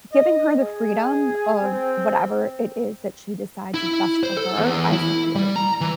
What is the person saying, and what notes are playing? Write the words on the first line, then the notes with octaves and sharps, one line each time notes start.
giving her the freedom of whatever it is that she decides is best for her, I support.
D#5
G#4
C4
E4
C5
A4
E2
E4
G3
A#5
E3